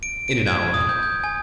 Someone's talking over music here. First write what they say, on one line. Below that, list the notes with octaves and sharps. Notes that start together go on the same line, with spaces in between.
"In an hour."
D7
D7
G#6
D#6
G6
G6
G#5